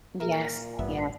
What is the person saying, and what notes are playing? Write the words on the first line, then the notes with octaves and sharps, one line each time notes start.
Yes, yes.
A#2 E4 G#4 A#4
A1 G2 B3 E5